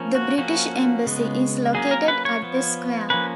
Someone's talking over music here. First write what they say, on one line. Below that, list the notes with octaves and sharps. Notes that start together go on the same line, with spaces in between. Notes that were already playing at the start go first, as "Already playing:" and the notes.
The British Embassy is located at the square.
Already playing: F3 A#3 C#4
F#4
F3 A#3 C#4 F#4
C#3 G#3 B3
F#3 A#3 C#4 G#4
A#4
B4
C#5
F3 B3
F3 A#3 C#4 B4